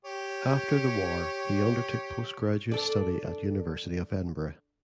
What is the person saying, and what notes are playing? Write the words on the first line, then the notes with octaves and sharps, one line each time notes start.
After the War he undertook postgraduate study at University of Edinburgh.
G4 C#5
D4 A4 D5